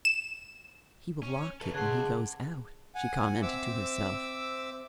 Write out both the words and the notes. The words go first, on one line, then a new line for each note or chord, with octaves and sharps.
"He will lock it when he goes out," she commented to herself.
E7
C#4
B3 A4
C#3 G#4 F#5 A5 C6 F#6 G#6
F#5 G#5
C4 E5 D6 E6